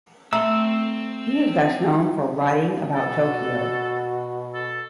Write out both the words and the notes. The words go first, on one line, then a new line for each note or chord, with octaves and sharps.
He is best known for writing about Tokyo.
A3 C4 E5 A#5 C6 E6
B2 F#4 A4
A4